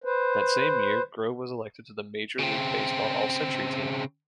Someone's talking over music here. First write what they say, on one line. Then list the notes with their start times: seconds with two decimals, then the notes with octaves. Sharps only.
That same year, Grove was elected to the Major League Baseball All-Century Team.
0.04 B4 C5
2.39 C#3 C4